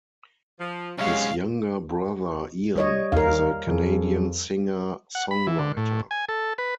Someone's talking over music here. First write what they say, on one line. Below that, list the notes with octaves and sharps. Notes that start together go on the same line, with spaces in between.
His younger brother Ian is a Canadian singer-songwriter.
F3
B1 C3 F#3 G#3 C#4 F5
G3 C#5 D#5
D#2 A#4 F5
F2 G#4
F#5
B5
E3
D3
A2
G#5
A4
B4